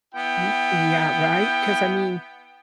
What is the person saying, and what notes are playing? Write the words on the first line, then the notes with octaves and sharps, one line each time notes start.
Y yeah, right? 'Cause, I mean
B3 E4 G5